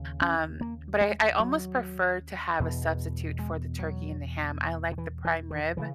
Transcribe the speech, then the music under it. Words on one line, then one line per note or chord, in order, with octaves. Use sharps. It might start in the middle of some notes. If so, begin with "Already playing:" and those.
um, but I I almost prefer to have a substitute for the turkey and the ham, I like the prime rib.
Already playing: D#2 C#3
C#4
A#3
G#3
F#3
E2 B2
G#3
F#3
D#3
E3
E3
D#3
C#3 E3